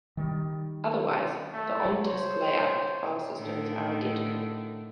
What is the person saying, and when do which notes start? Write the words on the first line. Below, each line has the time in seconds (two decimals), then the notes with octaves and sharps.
Otherwise, the on-disk layout of the filesystems are identical.
0.17 D#3 G3
1.53 A3
2.03 C5 C#5
3.34 A2 D3 D#3